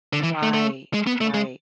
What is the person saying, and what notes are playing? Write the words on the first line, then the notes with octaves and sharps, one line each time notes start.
Right, right,
D3
E3
A3
A3
G#3
B3
A3
G#3